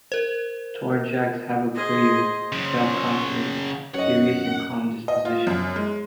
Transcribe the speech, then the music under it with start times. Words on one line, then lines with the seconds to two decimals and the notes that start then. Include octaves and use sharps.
Tornjaks have a clear, self-confident, serious and calm disposition.
0.12 A#4 C5
1.75 G#4 C5 D#5
2.52 C#3 F#3 C5 C#5
3.94 F#2 C#5 D#5 F#5
5.08 D#5
5.25 F4
5.47 F#2
5.76 G#3